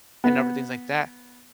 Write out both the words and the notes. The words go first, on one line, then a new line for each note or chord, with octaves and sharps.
and other things like that?
B3